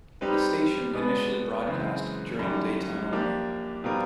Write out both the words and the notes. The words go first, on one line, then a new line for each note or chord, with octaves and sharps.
The station initially broadcast during the daytime only.
G3 C4 D#4 G4 B4
B2 G#3 B3 D4
F#2 C#3 E3 G#3 C4
F#2 D#3 G3
F3 A#3 D4 G4
B2 G3 C4 F4 A#4